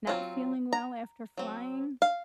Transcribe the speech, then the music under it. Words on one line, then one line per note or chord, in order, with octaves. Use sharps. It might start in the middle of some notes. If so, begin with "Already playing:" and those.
not feeling well after flying,
F#3 C4 F4
A#5
F#3 C4
F5